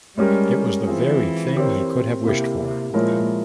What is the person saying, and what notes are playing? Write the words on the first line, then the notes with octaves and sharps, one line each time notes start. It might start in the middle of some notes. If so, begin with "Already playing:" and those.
It was the very thing he could have wished for.
G3 G#3 C#4 G4 A#4
E3 C4 F4 G#4
C4 G4 A#4 C#5
C3 A#3 E4 G4
C3
A#2 F3 G#3 E4 A#4 C#5